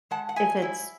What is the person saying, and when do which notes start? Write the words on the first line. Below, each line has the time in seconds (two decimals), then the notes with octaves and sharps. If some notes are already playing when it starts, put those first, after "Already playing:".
if it's
0.11 G#3 F#5 A5
0.29 F#5
0.36 G#3 E5 G#5
0.62 E4